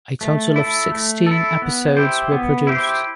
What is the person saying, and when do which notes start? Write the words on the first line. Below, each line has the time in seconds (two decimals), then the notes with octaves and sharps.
A total of sixteen episodes were produced.
0.21 A3
0.56 E4 A4
0.91 A3
1.26 E4 A4
1.62 B3
1.97 E4 G4 C5
2.32 B3
2.67 E4 G4 C5